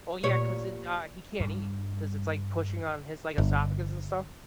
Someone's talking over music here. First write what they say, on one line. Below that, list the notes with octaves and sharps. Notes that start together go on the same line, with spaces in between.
Oh, yeah, 'cause it's, uh he can't eat 'cause it's, like, pushing on his, like, esophagus and stuff,
A#2 G3 C#5
G2 G3 D4
G1